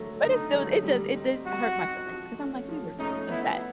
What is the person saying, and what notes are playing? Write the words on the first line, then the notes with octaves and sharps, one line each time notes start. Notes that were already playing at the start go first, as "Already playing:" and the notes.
But it still it does it does hurt my feelings 'cause I'm like, we were just the best.
Already playing: D3 F#3 A3
D3 D#4
F#3 A3
G3
C4 D#4
G3 F#4
C4 D#4
F3
A3 C#4
F3
A3 C#4 D#4
B3 E4